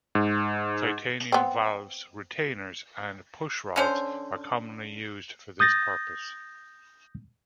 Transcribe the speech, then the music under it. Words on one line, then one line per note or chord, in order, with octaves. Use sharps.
Titanium valves, retainers, and pushrods are commonly used for this purpose.
G#2
B3 C4
D3 C#4 C5
D#6 G6 A6 A#6